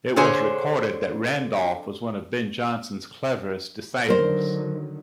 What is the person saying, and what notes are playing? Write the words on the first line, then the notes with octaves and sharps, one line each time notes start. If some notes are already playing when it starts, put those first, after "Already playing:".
It was recorded that Randolph was one of Ben Jonson's cleverest disciples.
D3 G#4 C5 C#5 G#5
D3 D#3 F#3 A#4 C5